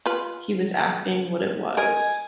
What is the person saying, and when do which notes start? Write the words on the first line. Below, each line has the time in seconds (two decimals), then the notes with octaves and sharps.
He was asking what it was.
0.06 F4 B4
1.77 A#4 D#5 G#5